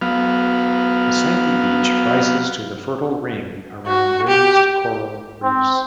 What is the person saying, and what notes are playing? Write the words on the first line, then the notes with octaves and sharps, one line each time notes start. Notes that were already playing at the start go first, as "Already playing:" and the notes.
A sandy beach rises to the fertile ring around raised coral reefs.
F#3 B3 F5
F#4
G4
C4